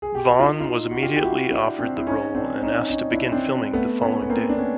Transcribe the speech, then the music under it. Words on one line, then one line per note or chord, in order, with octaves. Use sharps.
Vaughn was immediately offered the role, and asked to begin filming the following day.
G#4
G4
F#4
D#4 F4
D#4 F4
F#4
F4 G4
G4
E4 F#4
D4 E4
C4 D4
E4
C#4 D#4
C4 D4
C#4 D#4
C#4 D#4
D4 E4
C4 D4
A3 B3
B3 C#4
B3
A#3 C4
D4
B3 C#4